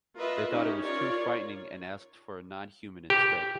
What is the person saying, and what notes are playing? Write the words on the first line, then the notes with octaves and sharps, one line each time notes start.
They thought it was too frightening and asked for a non-human instead.
F4 A#4 B4 D#5 E5
C#4 D#4 G4
F4 A#4 C#5 D5
G4